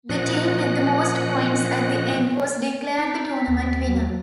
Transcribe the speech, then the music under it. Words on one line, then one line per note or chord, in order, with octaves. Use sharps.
The team with the most points at the end was declared the tournament winner.
A#2 F3 C#4 D#5 F#5 F#6
D#4 B6
D#2
F#3